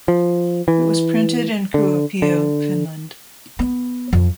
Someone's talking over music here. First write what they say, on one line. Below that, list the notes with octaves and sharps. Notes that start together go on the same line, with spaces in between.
It was printed in Kuopio, Finland.
F3
E3
D3
D3
B3
F2